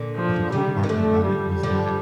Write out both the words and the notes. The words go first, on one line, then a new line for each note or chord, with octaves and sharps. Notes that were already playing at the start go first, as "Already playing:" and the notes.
But the cool part about it was that,
Already playing: A#2 D3
F3
C3 D#3 G3
D#3
D3 F3 A3
G3
D3 F3